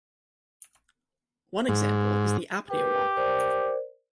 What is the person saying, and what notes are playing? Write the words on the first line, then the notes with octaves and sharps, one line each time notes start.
One example is the apnea walk.
G#2
G4 A#4 B4 G5
A#4 C5 D5